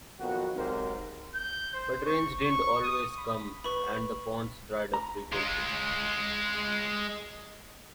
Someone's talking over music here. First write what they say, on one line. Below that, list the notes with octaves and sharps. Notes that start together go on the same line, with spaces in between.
But rains didn't always come, and the ponds dried up frequently.
B1 F2 D#3 B3 F#4
G#2 C3 F#3 C4 A#4 C5
G6
C5
C#6
C#6
D#6
B5
B4 B5 C#6
A#5
G#3 F4